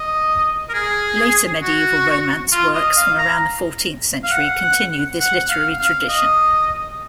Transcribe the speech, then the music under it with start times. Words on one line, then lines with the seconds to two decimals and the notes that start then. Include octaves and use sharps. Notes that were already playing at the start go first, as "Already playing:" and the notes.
Later medieval romance works from around the fourteenth century continued this literary tradition.
Already playing: D#5
0.69 A#4
0.74 G#4
1.62 F#4
2.52 F4
2.75 D#5
2.97 F5
3.18 A#5
4.24 F5
4.31 F#5
5.20 F#5
5.49 F5
5.79 F5
6.09 D#5